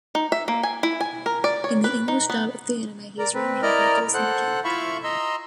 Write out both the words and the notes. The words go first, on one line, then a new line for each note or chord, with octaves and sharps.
In the English dub of the anime, he is renamed Nickels the Mechanic.
D#4
E5
A#3
G#5
E4
G#5
A#4
D5
C#5
B4
D#4
B3
A#4 D5 A#5
C4 B4
E4 A#4 D5 D#5 A#5 F6
A4 C5 F#5 F#6
E4 F4 E5 F5 B5 C#6
D#5 A#5 C6 E6